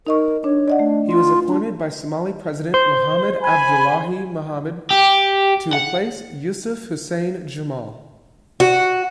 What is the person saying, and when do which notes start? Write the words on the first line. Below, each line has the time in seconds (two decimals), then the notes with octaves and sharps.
He was appointed by Somali President Mohamed Abdullahi Mohamed to replace Yusuf Hussein Jimaale.
0.07 D#4 A#4 D#5 C#6
0.44 D4 C#5
0.68 D5 D#5 F#5
0.79 A3 D4
1.07 F4
1.48 D4
2.74 C5
3.42 G#5 B5
4.90 G4
5.73 F#5
8.60 F#4